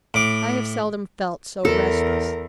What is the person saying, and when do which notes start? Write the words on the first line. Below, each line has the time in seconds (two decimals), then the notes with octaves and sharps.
I have seldom felt so restless.
0.14 A2 D6
1.65 E2 A4 A#4